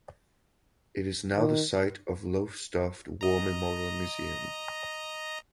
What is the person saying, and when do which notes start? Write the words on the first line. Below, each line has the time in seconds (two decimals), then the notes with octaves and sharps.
It is now the site of Lowestoft War Memorial Museum.
1.35 D#3
3.21 D#5 A#5